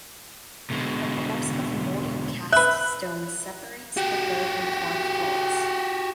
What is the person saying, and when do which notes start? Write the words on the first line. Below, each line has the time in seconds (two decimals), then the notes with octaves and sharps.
A course of moulded cast stone separates the third and fourth floors.
0.70 B2 D3 G#3
2.52 B4 E5 F#6
3.97 F#4 G4